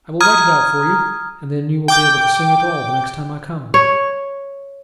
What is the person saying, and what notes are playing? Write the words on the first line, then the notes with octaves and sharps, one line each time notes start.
"I will write it out for you, and then you will be able to sing it all the next time I come."
A#5 D#6 F6 G#6
G5 D6 G6
C#5